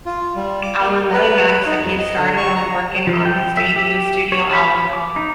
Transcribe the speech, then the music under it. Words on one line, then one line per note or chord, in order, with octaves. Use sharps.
Allan then announced that he started on working on his debut studio album.
F4
G3
D6
A#3
B4
B5
D#4
F2
D#5
D3
C#6
A#5
F3
G5
E5
G4
C#5
B5
D6
D#4